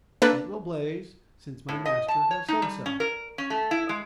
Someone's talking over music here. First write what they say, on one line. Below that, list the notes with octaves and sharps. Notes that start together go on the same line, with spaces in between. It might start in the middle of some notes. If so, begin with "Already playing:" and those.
"It will blaze, since my master has said so."
A#3 D4 A4 B4
A2
D#5
A5
C#5
D#4
G3
C#4
A#4
C#4
A3
E4
G#3